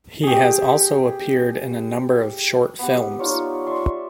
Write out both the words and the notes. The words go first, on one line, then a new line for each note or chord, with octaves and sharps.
He has also appeared in a number of short films.
G4 G#4
B3 G4
D#4 F4 C#5 D5
D5 E5 C6 C#6